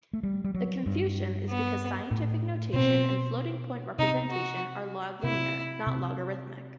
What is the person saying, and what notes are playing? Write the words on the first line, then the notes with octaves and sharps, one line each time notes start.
The confusion is because scientific notation and floating-point representation are log-linear, not logarithmic.
A3
G3
G3
F#3
G2
B3
A2
B2 C4
C3 D#4
F#4
C3 E4
C3